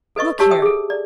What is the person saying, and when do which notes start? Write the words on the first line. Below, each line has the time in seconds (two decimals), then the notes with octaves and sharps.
"Look here!"
0.16 A4 B4 D#5 C#6
0.39 F#4 G4 C#5 A5 C#6 E6
0.51 E5 G5 D#6
0.62 G#4 A4
0.90 D5